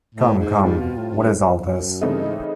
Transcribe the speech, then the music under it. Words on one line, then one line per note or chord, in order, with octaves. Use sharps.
Come, come, what is all this?
A2
G#2
G#2 G3 C4 F4
B2
A2
G2
F2
F#2
G2 C#3 E3 A3 C4 D#4
G#2